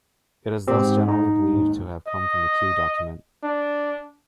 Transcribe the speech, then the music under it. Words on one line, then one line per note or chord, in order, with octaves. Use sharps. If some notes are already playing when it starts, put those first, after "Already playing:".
It is thus generally believed to have come from the Q document.
G#2 C4 G4
D#4
D#2 G#2
D#5
D4